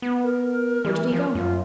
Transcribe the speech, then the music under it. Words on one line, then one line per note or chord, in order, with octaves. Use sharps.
Where did he go?
B3
A#4
E3
F3
F#2 F4